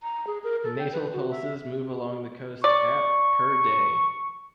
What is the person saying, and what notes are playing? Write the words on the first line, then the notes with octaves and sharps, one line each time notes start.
Natal pulses move along the coast at per day.
A#5
G#4
A#4
A4
G5
B4
F#4
E5
D5 C#6